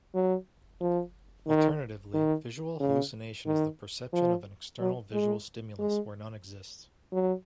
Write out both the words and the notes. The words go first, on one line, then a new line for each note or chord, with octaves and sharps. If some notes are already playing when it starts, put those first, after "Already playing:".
Alternatively visual hallucination is the perception of an external visual stimulus where none exists.
F#3
F3
D#3
D#3
C#3
D#3
F3
F#3
G#3
G#3
F#3